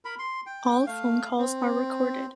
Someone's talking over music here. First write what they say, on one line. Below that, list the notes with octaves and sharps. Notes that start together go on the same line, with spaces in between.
All phone calls are recorded.
A#4 B5
C6
G5
A3 F5
C4